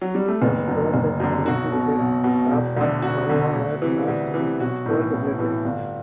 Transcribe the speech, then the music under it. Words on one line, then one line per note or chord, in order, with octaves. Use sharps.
Some sources alleged that Tapan Baruah was shot in cold blood.
F#3
G3
A3
F#1 B3
F#2 D3
F#1
F#2 D3
B1 F#4
B2
B1
B2
E1
D2 D3
E1 F#4
D2 D3
D2
C3 E3
D2
C3 E3
B1 F#4
A2 E3
B1
A2 E3
G1